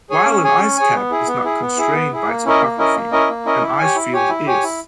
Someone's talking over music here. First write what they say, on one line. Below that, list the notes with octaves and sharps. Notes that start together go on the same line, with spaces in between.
While an ice cap is not constrained by topography, an ice field is.
G#4 C#5 G#5
C#4
G#4 C#5 G#5
C#4
G#4 C#5 G#5
B3
E4 G#4
B3
E4 G#4
B3
E4 G#4
B3
E4 G#4
A#3
C#4 E4 A#4 D#5
A#3
C#4 E4 A#4 D#5
A#3
C#4 E4 A#4 D#5
A#3
C#4 E4 A#4 D#5
E4
G4 C#5 G#5
E4
G4 C#5 G#5
E4
G4 C#5 G#5
E4